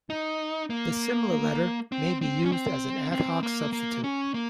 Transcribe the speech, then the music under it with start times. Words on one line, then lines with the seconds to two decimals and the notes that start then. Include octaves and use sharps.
The similar letter may be used as an ad-hoc substitute.
0.10 D#4
0.70 A#3
1.92 C4
2.21 C4
2.45 C#4
2.52 C4
3.12 C4
3.43 A#3
3.73 A#3
4.04 C#4
4.34 A#3